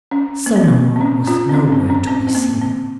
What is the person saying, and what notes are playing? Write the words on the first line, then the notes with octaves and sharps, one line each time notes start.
Solomon was nowhere to be seen.
C#4
A#3
C4
A#3
C4
C#4
C#4 F4
C4
C#4
C#4
C4
C#4
C4
C4
A#3
C4